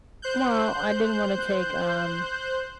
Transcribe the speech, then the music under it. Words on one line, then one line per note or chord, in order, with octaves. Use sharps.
Well, I didn't wanna take, um,
C5 F#6 G6